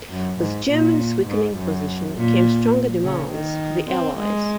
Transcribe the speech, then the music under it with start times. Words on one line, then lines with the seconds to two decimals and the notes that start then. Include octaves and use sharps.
With Germany's weakening position came stronger demands from the Allies.
0.10 F#2
0.40 G#2
0.69 A#2
1.27 G#2
1.56 F#2
2.15 A#2
3.02 C#3
3.31 D#3
3.89 C4
4.19 G#3